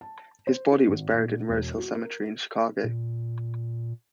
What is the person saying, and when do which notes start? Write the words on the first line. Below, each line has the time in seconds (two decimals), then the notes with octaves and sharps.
His body was buried in Rosehill Cemetery in Chicago.
0.01 A5
0.47 C5
0.88 G#1
1.14 A#2
1.49 E1
1.78 F#4
1.94 A#4
2.84 A#2